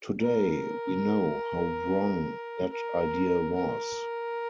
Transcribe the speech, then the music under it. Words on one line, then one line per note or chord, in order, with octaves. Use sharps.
Today we know how wrong that idea was.
A#4
A#4
A#4